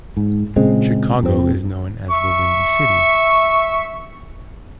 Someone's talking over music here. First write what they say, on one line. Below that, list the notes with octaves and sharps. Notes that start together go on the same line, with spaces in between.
Chicago is known as the Windy City.
G#2
A#2 C#3 G#3 C4
F2 C4
E5 C#6